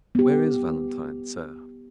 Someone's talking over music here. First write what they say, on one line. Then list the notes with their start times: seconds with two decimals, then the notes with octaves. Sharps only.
Where is Valentine, sir?
0.15 B3 G4